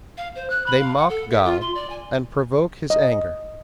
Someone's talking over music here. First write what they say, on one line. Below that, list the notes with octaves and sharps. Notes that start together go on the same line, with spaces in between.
They mock God, and provoke His anger.
F5
C5
F#6
B5
F5
F#5
A4
E5
F4
C6
D5
G#5
D#5